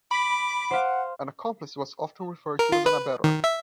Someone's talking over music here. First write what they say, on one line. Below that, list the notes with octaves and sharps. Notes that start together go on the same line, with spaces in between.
An accomplice was often referred to as an abettor.
B5 D6
C5 F5 F#5
A#4
F4
B4
D#3
E5